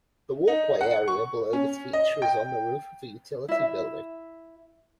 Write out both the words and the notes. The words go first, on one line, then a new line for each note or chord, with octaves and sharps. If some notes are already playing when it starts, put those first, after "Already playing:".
The walkway area below this feature is on the roof of a utility building.
D#4
F#5
C#6
C#4
D#5
G5
E4 E5